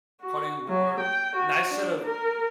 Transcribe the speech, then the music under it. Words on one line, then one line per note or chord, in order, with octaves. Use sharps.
cutting board, nice set of
F#4
F#3
G5
F#4
D4
A#4